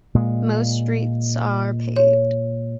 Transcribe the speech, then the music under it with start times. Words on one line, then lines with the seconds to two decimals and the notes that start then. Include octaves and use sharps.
Most streets are paved.
0.15 A#2 G#3
1.96 C#5